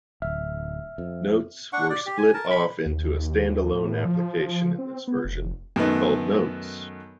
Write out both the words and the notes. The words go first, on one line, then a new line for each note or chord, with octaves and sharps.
Notes were split off into a stand-alone application in this version, called Notes.
D1 E5 F6
F2
D4 F#5 C#6
D5
G4
G#5
A#4 A5
B5
D#2
A2
F3
C4
B3
F1
F#2 D#3 A3 B3 D#5